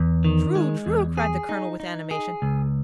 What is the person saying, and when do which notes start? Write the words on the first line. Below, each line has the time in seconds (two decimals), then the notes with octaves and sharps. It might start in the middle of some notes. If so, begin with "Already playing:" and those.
"True--true," cried the colonel, with animation.
Already playing: E2
0.25 D#3
0.55 G#3
0.86 E2
1.17 G#4
1.49 D#4
1.80 D#4
2.11 G#4
2.42 C#2